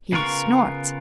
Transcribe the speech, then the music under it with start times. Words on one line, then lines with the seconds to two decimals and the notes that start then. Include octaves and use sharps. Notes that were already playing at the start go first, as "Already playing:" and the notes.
He snorts.
0.12 C#3 B3 F4 A#4 C#6